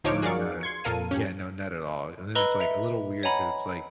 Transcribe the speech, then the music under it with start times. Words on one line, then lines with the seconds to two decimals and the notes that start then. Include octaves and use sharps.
Oh, no, not at Yeah, no, not at all and then it's, like, a little weird 'cause it's, like,
0.04 D2 F3 D#4 C#5 D6 D7
0.22 F#4 G#4 A#4 D5 F5 C#6
0.61 C6 G#6 C#7
0.84 F2 A#2 A4 A#4 F5 D#7
1.11 C#4 G4
2.35 B4 D#5 A#5 B5 E6 G7
2.60 E5 F7
3.23 C#5 D#5 F#5 G#5 A#5 B5